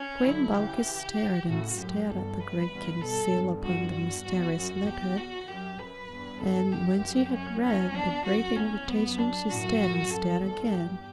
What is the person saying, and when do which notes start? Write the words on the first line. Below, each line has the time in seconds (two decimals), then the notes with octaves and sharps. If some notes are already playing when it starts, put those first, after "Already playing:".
Queen Balkis stared and stared at the great King's seal upon the mysterious letter, and when she had read the brief invitation she stared and stared again.
Already playing: C#4
0.23 D3 F#3 E4
0.54 C#3 E3 G4
1.47 A2 C#3 F#4
1.78 F#2 A2 G4
2.09 E2 G2 A4
2.40 B4
2.71 E2 G2
3.01 G2 B2 A4
3.32 E2 G2
3.63 F#4
3.94 F#4
4.25 E2
4.56 F#2
4.87 E2 G4
5.17 F#4
5.48 F#2 G4
5.79 F#2 B4
6.10 E2 G2
6.41 A4
6.71 F#2 G4
7.34 C#4
7.64 E2 C#4
7.95 D4
8.25 F#2 F#4
8.56 E2 C#4
8.88 F#2 B3
9.19 D4
9.49 F#2 A2 F#4
9.80 F#2
10.11 F#2 A4
10.42 E2 G2 A4
10.73 G4